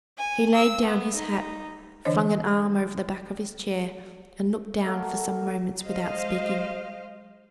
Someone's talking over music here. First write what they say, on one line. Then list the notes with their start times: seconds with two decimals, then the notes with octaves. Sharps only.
He laid down his hat, flung an arm over the back of his chair, and looked down for some moments without speaking.
0.18 G#5
0.54 E6
0.85 B3
1.15 D#4
2.05 D3 E3 D4 C5 C#5 D#5
4.84 F#3 A3 A#3 A#4
5.82 G#3 C5 D#5 F5